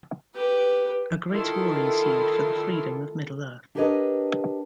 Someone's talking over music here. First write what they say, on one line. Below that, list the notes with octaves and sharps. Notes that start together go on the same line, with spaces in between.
A great war ensued for the freedom of Middle-earth.
G4 B4
D#3 E4 F4 A4 C6
D4 G4 A#4 B4 C#5 D#5